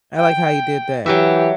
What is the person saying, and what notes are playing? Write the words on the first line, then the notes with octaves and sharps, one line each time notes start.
I like how he did that.
G5
E3 F#3 F#4 G4 E5